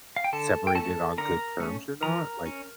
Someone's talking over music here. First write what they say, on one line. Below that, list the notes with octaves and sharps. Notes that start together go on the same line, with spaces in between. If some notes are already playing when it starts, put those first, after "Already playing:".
separated on good terms or not? Like
F5
G5
D3 A4 A5
G5
A3 C#4 A4 A5
D3 A#4 A#5
A3 C#4
F3 A#4 A#5
C#4